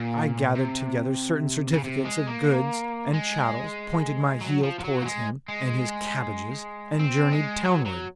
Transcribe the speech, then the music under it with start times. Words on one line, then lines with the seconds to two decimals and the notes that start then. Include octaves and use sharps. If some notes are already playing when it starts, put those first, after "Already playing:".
I gathered together certain certificates of goods and chattels, pointed my heel towards him and his cabbages, and journeyed townward.
Already playing: A#2
0.55 C3
1.73 C#3
1.84 C3
2.05 G#3
2.27 A#3
3.13 G#3
4.41 F#3
4.63 F3
4.79 F3
4.84 F#3
5.01 A#3
5.05 G#3
5.48 G#3
7.00 C4
7.32 G#3
7.64 F#3
7.86 F#3